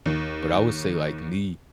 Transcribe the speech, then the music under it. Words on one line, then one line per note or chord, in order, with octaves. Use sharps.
but I would say like me,
D#2 D#3